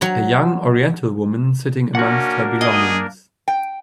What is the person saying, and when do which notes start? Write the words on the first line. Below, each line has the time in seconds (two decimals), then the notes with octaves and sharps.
A young oriental woman sitting amongst her belongings.
0.01 F#3 A#5
1.95 A#3 C#4 D4 F#4 A#4 F#5
2.61 G#4 D#5
3.48 G5